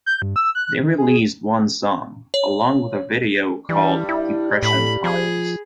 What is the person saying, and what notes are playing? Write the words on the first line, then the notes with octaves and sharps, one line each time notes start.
They released one song, along with a video, called 'Depression Times'.
G6
G2
E6
F#6
D#3
G#4
C#5
G2 E3 G3
E4
A2 B5
F3 G#4